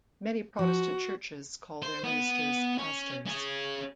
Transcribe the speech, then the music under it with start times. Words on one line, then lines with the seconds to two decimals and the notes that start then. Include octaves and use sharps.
Many Protestant churches call their ministers "pastors".
0.59 F3 F#4
1.82 C5
2.04 B3
2.78 C#4
3.27 C#4 G#4